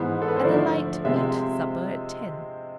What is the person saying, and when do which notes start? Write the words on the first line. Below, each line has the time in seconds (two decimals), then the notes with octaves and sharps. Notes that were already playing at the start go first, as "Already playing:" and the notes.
And a light meat supper at ten.
Already playing: G#2 E3 G#3 B3 C5
0.22 A4
0.28 B4
0.36 C5
0.43 D3 F3 A3 E4 D5
1.04 C3 G#3 C4 F4 E5